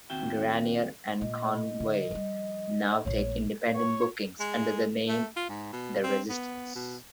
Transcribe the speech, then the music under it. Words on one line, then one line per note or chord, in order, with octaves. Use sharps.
Grenier and Conway now take independent bookings, under the name "The Resistance".
D#2 C4 F#4 E5 G5
A#2 D#5
D3
F3 G3
A#1 A#3 C#5
C#5
G#3
A3
F4
G#2
B2
C4
B3
B2